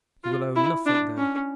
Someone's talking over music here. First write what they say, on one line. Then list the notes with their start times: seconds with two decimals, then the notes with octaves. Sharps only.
"You will own nothing then?"
0.24 F4
0.56 E4
0.86 D4
1.18 C#4